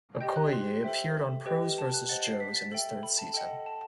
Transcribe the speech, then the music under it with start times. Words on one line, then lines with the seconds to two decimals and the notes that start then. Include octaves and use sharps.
Okoye appeared on Pros versus Joes in its third season.
0.20 G4 D#5 G5 G6
0.36 F#6
0.53 C6
0.84 A4 C5 E5 G5
1.46 G4 B4 D#5 G5
1.78 A5
1.94 F#6
2.09 C5 D#5 F#5 A6
2.24 C7
2.40 B6
2.56 A6
2.72 A4 E5 G5
3.03 B5
3.18 A5
3.34 A4 D#5 F#5 G5
3.66 A5